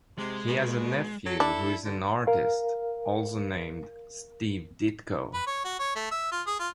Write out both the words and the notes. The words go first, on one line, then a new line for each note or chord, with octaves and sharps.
He has a nephew who is an artist, also named Steve Ditko.
C3 G#3
B2
F#3 A4
D4 E4
D3
A#4 F5
B4
C#5
F#4
C#5
A3
E5
F4
G#4
F4